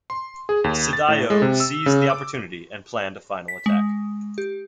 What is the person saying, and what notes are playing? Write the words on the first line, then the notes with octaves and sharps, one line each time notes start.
Sadayo seized the opportunity and planned a final attack.
C6
G#4
D#2
A6
A2
G#3
C3
E6
C#3
D6
B6
G#3
G4